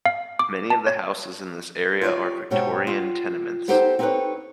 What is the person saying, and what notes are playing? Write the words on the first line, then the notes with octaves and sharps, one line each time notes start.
Many of the houses in this area are Victorian tenements.
F5
D6
A5
C#5
F4 G4 A#4 C#5 D5
G#2 B2 G4 C#5 A5
F4
B3 D#4 G4 A4 C5
C4 D#4 G4 A4 B4 C#5